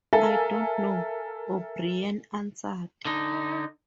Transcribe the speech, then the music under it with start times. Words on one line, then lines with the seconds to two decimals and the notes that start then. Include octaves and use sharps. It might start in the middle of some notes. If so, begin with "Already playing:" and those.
"I don't know" O'Brien answered.
0.13 A4 A#4 E5 F5 G#5 A5
3.05 D3 D#4